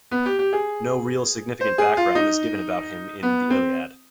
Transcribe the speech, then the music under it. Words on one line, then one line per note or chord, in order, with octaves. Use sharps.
No real significant background is given about him in the "Iliad".
B3
G4
G4
G#4
C5
G#4
F4
D#4
B3
C4